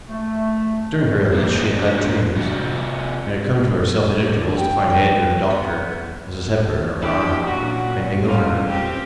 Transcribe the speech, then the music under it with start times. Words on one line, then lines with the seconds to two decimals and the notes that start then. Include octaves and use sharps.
During her illness she had had dreams, and had come to herself at intervals to find Ed or the doctor, Mrs. Hepburn or her aunt, bending over her.
0.08 A3
1.33 A#3 G#4 C5
1.75 F#3 D4
2.36 C3 F4 F#4
4.34 D3
4.58 G5
4.90 G5
5.50 B3
7.02 D3 D4 E4 G4
7.47 A#2 C#4 F#4
8.25 C#3 G3 A#3 F4
8.69 C4 G4